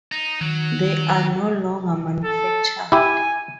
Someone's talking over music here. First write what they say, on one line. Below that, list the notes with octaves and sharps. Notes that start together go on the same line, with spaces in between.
They are no longer manufactured.
D#4
D#3 F#3
A4
E4 G4 G#5